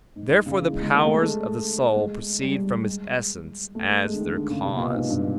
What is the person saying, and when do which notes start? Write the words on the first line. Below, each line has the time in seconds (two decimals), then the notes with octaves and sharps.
Therefore the powers of the soul proceed from its essence as their cause.
0.16 G#2
0.31 G#2
0.46 C#3
0.60 E3
0.72 G#3
0.83 G#3
0.95 A#3
1.06 A3
1.14 G#3
1.22 A3
1.96 G#3
2.18 G#3
2.41 G3
2.55 G3
2.65 G#3
2.71 G3
2.85 G#3
3.75 A3
3.89 A3
4.04 G#3
4.13 D3
4.20 D#3
4.34 D3
4.50 C#3
4.65 C3
4.76 A#2
4.80 B2
4.95 G#2
5.10 G2